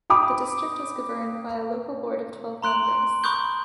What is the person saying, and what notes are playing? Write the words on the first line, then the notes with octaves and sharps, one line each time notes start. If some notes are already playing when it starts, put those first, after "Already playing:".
The district was governed by a local board of twelve members.
G5 B5 D6 D#6
A#5 C6 F#6 D7 F#7
B5 C#6 D#6 F#6 G6 G7